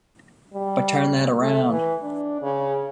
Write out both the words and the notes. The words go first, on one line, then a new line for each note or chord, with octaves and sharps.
But turn that around.
G3
A3
E3
D4
C#3